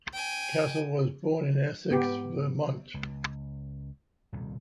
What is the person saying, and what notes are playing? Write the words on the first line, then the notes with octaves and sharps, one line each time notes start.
Castle was born in Essex, Vermont.
G5 G#5
G#2 B3 G4
C#2
D#1 C2 B2